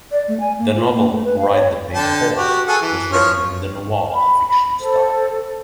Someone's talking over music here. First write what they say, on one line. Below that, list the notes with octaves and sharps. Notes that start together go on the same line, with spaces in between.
The novel "Ride the Pink Horse" was written in the noir fiction style.
D5
A3
G#5
A#3
F4
A#3
A3
B4
F5
C#5
D3 G5 A5
F#4 G4
G#4 A4 F#5
E3
F3 C#5 F6
B5
A4 C5